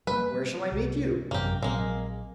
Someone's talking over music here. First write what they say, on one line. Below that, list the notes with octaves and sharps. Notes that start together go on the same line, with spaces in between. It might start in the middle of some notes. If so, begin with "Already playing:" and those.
"Where shall I meet you?"
G3 G#3 A#3 B4
C2
G#1 F#2 C3 A#3 G4
A#1 F#3 G#3 A#3 C4